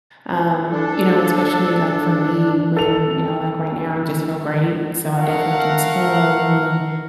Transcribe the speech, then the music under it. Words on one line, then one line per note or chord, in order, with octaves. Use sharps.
um, you know, especially, like, for me when, you know, like, right now, I just feel great, so I definitely can tell when,
D4 A4
A4 F7
A3 A#4 F5 F#5